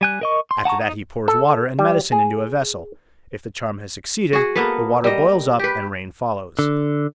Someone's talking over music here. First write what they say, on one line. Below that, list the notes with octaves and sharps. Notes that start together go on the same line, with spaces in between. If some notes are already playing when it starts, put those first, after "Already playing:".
After that he pours water and medicine into a vessel; if the charm has succeeded, the water boils up and rain follows.
G3 G#5 F#6
A#4 D#5 C#6
C6
F#5 A5 A#5 C#6
D#4
A4
G3
G#4
F#4 G#4
A#3 B3 A4 B4
G3 D#5
G4 B4
D3